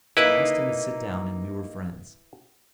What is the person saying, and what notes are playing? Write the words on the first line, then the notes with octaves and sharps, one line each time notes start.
I asked him to sit down and we were friends.
A#3 D#4 E4 B4